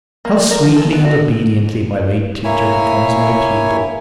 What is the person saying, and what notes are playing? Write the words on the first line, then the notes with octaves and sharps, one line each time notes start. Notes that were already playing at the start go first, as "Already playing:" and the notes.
'How sweetly and obediently my late teacher becomes my pupil!'
A#3
D5
A#4
F3
A4
B3
F#4
A#3 E4 C#5 G#5